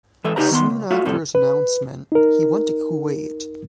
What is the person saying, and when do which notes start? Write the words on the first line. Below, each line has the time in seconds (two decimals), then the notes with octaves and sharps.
Soon after his announcement he went to Kuwait.
0.24 E3 G#3 A4 B4 E5
0.36 C#3 D#4 G4 B4 A#5
0.51 D#3 B3 A#5 C6
0.70 C#2
0.90 A3 F4 F#4 E5 F5
1.05 F2 A2 C3 G3 A4
1.35 B4
2.12 D#4 A#4